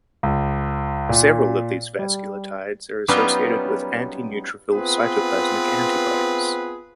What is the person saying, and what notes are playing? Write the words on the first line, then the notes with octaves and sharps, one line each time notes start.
Several of these vasculitides are associated with antineutrophil cytoplasmic antibodies.
C#2
A#2
G3
F#3 G3 B3 C#4 D#4 F4
B3 C4 F4 G#4 B4